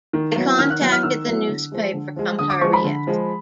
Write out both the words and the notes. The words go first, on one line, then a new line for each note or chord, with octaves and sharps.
I contacted the newspaper Cumhuriyet.
D#3
F#3 B3 E4
D#3 F6
F#6
F#3 B3 E4 F#6
F6
D#3 E6
F#3 B3 E4
D3
F3 G#3
D3
F3 G#3
D3 D#6
D6
F3 G#3 C#6
B5
D3
F3 G#3